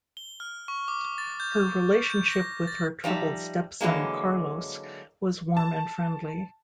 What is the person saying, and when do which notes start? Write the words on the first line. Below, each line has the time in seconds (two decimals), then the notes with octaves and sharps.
Her relationship with her troubled stepson Carlos was warm and friendly.
0.17 G7
0.40 F6
0.68 C#6
0.88 D6
1.18 A6
1.40 G6
2.10 G6
2.31 A#6
2.67 A6
3.04 F3 G3 D#4 E5
3.81 D3 E3 F#3 G#3 A#3
5.57 A5